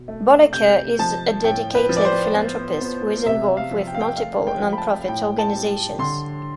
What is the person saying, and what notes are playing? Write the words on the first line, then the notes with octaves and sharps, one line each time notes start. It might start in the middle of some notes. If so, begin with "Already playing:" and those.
Bollacker is a dedicated philanthropist who is involved with multiple non-profit organizations.
Already playing: B2
A3
C3 G6
F3 A5
A2 G5
B4
F3
D5
C5
B3
B3
C3 E5
F5
F3
G5
F5
G5
A3 F5
G5
F3
B5
A5
A2 G5
A5
G3
D3 C6